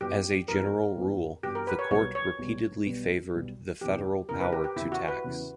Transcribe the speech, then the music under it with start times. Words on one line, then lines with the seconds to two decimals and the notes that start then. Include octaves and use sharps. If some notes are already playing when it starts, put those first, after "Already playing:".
As a general rule, the court repeatedly favored the federal power to tax.
0.01 G2 E3 B3 F#4 G4
0.48 G2 E3 B3 F#4 A#4
0.96 G2 E3 B3 F#4
1.43 G2 E3 B3 F#4 G4
1.55 A#4
1.67 B4
1.79 C#5
1.91 B1 B2 G3 B3 C#5
2.15 C#5
2.39 B1 B2 G3 B3
2.86 B1 B2 G3 B3
3.34 B1 B2 G3 B3
3.81 E2 C#3 E3 G4
4.29 E2 C#3 E3 A#4
4.41 B4
4.53 G4
4.64 G4
4.76 E2 C#3 E3 E4
4.92 F#4
5.08 B4
5.24 E2 C#3 E3